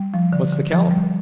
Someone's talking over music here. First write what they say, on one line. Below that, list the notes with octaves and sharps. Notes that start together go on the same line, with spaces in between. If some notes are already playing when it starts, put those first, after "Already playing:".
"What's the calibre?"
Already playing: G3
F3
D3
D3
F3
G3